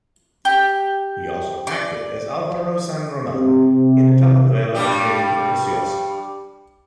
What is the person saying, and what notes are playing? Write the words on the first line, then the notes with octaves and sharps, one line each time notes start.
He also acted as Alvaro San Roman in a telenovela named "Preciosa".
G4
D5
C3
G2 G3 G4